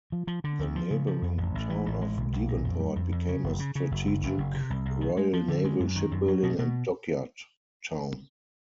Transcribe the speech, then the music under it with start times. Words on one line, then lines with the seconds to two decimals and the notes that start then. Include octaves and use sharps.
The neighbouring town of Devonport became a strategic Royal Naval shipbuilding and dockyard town.
0.12 F3
0.27 F3
0.44 D3
0.59 D2
0.76 F3
0.91 C#3
1.07 F3
1.22 F2
1.38 A1
1.55 A1
1.70 E3
1.86 A1
2.01 G#3
2.17 B1
2.33 B1
2.48 A#2
2.64 F2
2.80 G3
2.96 F2
3.12 F2
3.28 C#3
3.44 F#1
3.59 C#3
3.75 C#3
3.91 F#1
4.06 F#1
4.23 F#1
4.38 F#1
4.54 C3
4.70 C2
4.85 C2
5.01 D#3
5.17 G#3
5.33 F3
5.48 D3
5.64 G#3
5.80 F#2
5.95 D#3
6.12 F#2
6.28 F#3
6.43 B2
6.59 B2